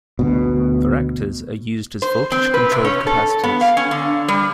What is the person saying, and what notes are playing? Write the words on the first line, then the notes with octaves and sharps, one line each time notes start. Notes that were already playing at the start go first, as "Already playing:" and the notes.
Varactors are used as voltage-controlled capacitors.
D2 B2
C5
C4
B4
C3
C#4
A4
B3
F5
C#4
D3
G3